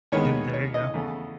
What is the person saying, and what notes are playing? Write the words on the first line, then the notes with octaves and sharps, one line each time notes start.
Yeah, there you go.
D#2 D#3 G#3 B3 C#5
C#5
D#5
E2 C#3 E3 A3